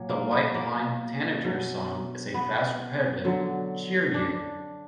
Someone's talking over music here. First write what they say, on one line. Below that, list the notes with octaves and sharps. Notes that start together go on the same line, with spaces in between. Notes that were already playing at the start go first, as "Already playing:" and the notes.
The white-lined tanager's song is a fast repetitive "cheeru".
Already playing: A#2 F#3
A#3
B3
A#3
B2 F#3
B3
D3 F#3
D4